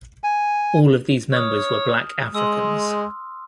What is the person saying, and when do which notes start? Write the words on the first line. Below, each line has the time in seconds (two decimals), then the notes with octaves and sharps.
All of these members were black Africans.
0.24 G#5
1.32 C#5 D#6 F6
2.35 G#3 C6 E6